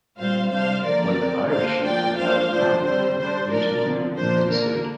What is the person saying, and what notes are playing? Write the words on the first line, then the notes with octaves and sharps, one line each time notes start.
When the pirate ship ran out of run, mutiny ensued.
A#2 G3 C4 C5 F5
C3 G3 D4 C5 F5
D3 F3 A#3 A#4 D5
F3 C4
D3 A#3 D4 C5 F5
F3 A#3 D4 D5 G5
F3 A#3 D4 C5 F5
D3 F3 D4 C5
D3 G3 C4 C5
D3 G3 D4 C5
F3 D4 A#4 D5
D3 F3 C4
A#2 F3 A#3 D4 C5
D3 A#3 D4 A#4